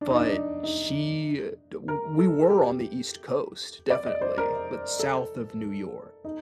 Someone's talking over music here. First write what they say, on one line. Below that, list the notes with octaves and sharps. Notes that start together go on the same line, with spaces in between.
but she w we were on the East Coast, definitely, but south of New York.
D4
D#4
D4
D4
D#4
A#4
A4
A4
G4
D5
D#5
C5
A#4
A4
D#4